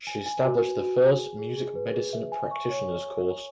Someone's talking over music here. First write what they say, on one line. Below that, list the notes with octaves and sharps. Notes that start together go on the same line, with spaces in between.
She established the first music medicine practitioners course.
G#5
G#5
F#4
B4
F#4
G#5
G#4
G#4
G#4
B4
G#4
E5
G#5
C#6
C#5